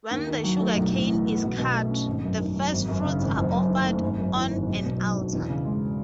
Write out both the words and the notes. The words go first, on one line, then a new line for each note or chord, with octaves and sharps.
When the sugarcane is cut, the first-fruits are offered on an altar.
D#2
D#3
F#3
A3
B1
A2
E3
B3
B1
B2
A3
C#4
G#1
F#2
D#3
F#3
G#1
F#2
C#3
G#1
F#1
F#2
D#3
A3
G#1
F#2
E3
G#1
B1
B2
F#3
B1
E2
C#3
G#3